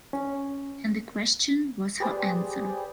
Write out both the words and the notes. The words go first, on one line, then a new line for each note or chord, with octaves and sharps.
And the question was her answer.
C#4
G4 G#4 B4 C5 D5